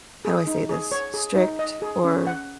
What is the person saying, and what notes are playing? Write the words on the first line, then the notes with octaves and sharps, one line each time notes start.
how do I say this- strict or,
G#4
D#4
G#4
C#5
G#4
D#4
D#5
G#4
C#4
F#5